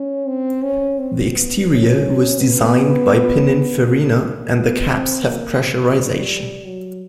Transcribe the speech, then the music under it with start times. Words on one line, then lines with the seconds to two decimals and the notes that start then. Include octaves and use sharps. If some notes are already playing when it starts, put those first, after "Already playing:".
The exterior was designed by Pininfarina and the cabs have pressurization.
Already playing: C#4
0.27 C4
0.63 C#4
0.98 C4
1.34 B3
1.69 C#4
2.40 B3
3.81 A#3
4.52 B3
4.87 C4
5.23 A#3
5.93 G3
6.64 F#3